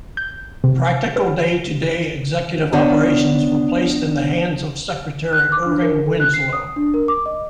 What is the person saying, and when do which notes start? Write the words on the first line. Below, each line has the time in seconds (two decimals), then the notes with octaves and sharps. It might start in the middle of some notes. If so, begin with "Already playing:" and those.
Practical day-to-day executive operations were placed in the hands of Secretary Erving Winslow.
0.17 G6
0.64 C3
1.16 B4
2.72 B3 D4 C5 C#5 D#5 E5
5.33 F#6
5.52 D6
5.66 D4
5.82 A#4
6.06 A4
6.20 F#6
6.34 C7
6.53 D#6
6.76 D4
6.94 A#4
7.08 D6
7.26 D#5